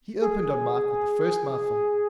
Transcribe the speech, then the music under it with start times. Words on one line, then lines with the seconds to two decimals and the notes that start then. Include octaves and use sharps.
He opened on Mike with the first mouthful.
0.21 G#4